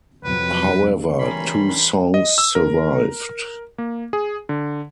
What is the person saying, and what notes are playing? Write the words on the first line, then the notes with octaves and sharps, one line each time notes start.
However two songs survived.
F2 C3 F#3 B4
E3 G3 C#4 A#4 B5 C6
D#5
E6
A#4
A#3
G#4
D3